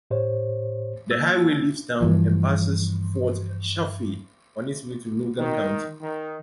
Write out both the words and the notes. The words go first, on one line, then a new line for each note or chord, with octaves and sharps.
The highway leaves town and passes Fort Chaffee on its way to Logan County.
A2 G4 C5 C#5
A#3 E6
G2 E3 F3
D#3
D#3